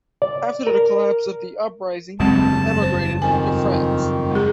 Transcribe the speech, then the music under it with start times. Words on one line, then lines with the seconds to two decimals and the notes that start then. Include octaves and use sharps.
After the collapse of the Uprising he emigrated to France.
0.22 D5
0.67 A#4
2.20 F#1 E2 G2 F#3 G#3 C4 A5
2.82 C5
3.22 F2 D#3 G#5
4.31 G#3 G#4